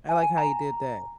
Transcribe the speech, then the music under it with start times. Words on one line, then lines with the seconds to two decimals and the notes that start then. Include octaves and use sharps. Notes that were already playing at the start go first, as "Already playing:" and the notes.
I like how he did that.
0.09 G#5
0.23 G#5
0.37 A#5